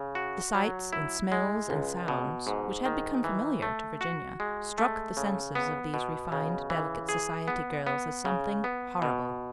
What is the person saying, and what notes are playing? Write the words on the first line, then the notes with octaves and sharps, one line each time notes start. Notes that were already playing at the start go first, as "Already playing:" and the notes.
The sights and smells and sounds which had become familiar to Virginia struck the senses of these refined, delicate society girls as something horrible.
Already playing: C#3
F#4
F#3
E4
G#3
C#2
B2
G#2
D#3
E3
A3
F#4
G#3
A3
C#3
B3
B2
C#3
E3
G#4
B3
B3
C#3
B3
B2